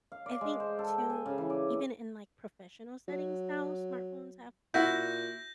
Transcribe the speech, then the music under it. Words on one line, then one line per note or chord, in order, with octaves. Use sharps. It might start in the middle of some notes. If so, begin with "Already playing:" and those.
I think, too, even in, like, professional settings now, smartphones have,
F5
D5
G#3
C5
A4
G5
G#5
C#3
E3
D5
F#3
A#2 E4 F#4 G6 A#6